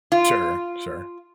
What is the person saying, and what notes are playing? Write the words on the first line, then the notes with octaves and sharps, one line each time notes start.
Sure, sure.
F4